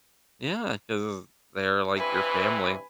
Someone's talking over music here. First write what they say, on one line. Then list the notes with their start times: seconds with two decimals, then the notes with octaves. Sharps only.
Yeah 'cause they're like your family,
1.96 G2 C3 E3 B4 G#5